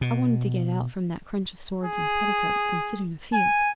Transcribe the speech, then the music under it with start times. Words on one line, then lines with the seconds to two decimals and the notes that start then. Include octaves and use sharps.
I wanted to get out from that crunch of swords and petticoats and sit in a field.
0.01 B2
1.84 G#4
3.33 G#5